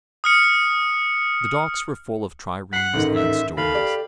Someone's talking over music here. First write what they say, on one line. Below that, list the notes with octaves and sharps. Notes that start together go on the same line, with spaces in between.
The docks were full of triremes and stores.
D#6 F6 C#7
F#5 F#6 B6 C7
A1 G#2 D#3 A4 A#4
E5
D#2 A4 F5 B5
G4 D5